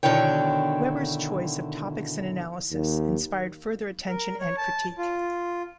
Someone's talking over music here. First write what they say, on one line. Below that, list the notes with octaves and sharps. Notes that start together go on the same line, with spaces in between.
Weber's choice of topics and analysis inspired further attention and critique.
B2 D3 D#3 E4 C#5 G5
D#2
A#4
C#5
A5
F4